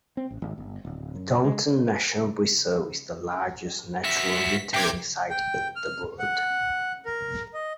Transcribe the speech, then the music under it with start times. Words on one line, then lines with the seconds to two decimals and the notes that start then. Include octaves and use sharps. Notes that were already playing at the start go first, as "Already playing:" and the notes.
Dongtan Nature Reserve is the largest natural wintering site in the world.
0.17 C4
0.30 A1
0.42 G#1
0.58 G1
0.85 D1
1.15 F#2
1.44 G#3
4.04 F#4 E5 B6
4.74 C3 G5 D6 G#6
5.30 G5
5.76 F6
6.19 F#5
7.06 A#4
7.54 D#5